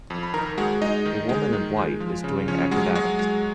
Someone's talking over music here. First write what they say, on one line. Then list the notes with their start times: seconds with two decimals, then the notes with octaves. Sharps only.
A woman in white is doing acrobatics.
0.10 F2
0.23 B5
0.34 D#3 A#4 A#5
0.58 G#3 F#4 F#5
0.81 G#3 D#4 D#5
1.06 D#3
1.29 G#3
1.53 D#3
1.76 G#3
2.00 F3
2.24 C#3
2.48 F3 C#4 C#5
2.71 F#3 G#3 F#4
2.95 F#3 G#3 F#4
3.19 G#3